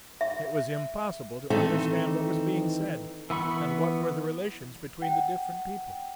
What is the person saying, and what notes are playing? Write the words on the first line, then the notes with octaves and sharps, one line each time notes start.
It was impossible to understand what was being said and what were the relations between the different people.
E5
D#3 E3 A3 C4 D#4 A4
E3 B3 B5 C#6
F#5 G5